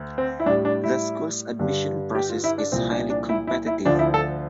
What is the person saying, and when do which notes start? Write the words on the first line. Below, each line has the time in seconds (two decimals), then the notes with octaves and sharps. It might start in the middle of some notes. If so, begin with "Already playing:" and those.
The school's admission process is highly competitive.
Already playing: D2
0.18 C4
0.40 E4
0.46 A2 D4
0.50 G3
0.65 D4
0.84 E4
1.59 G2 D3 G3
2.15 G4
2.30 F4
2.44 E4
2.58 D4
2.72 C2 A#2 F3 C4
2.91 D4
3.10 D4
3.29 E4
3.47 E4
3.66 E4
3.85 D2 D3 F3 D4
3.99 E4
4.14 A4